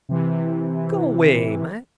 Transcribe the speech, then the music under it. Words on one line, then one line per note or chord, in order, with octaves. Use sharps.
Go 'way, man!
C3 E3